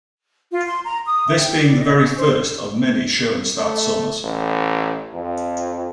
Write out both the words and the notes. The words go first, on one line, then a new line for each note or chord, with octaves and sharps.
This being the first of many Schoenstatt Summers.
F4
C6
A#5
D#6
E5
G5
D5
D#5
C#4
C5
A3
A1
F2